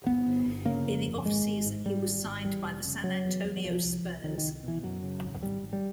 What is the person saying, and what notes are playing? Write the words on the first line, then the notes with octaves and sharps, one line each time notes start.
In the offseason he was signed by the San Antonio Spurs.
G1 B3
G1
G1
C#3 A#3
F2
G1
G#1 G#3
G#1
G#2
G#2 G3
G#1
G#1
E2 G3
F1
C#3
F1 F#3
E2
E2
F#3
C2 F3
C2
C2
C2 D#3
D#3
C2
B2 E3
F#2 F#3
C#3
G#1
G#1 G3
G#1
G3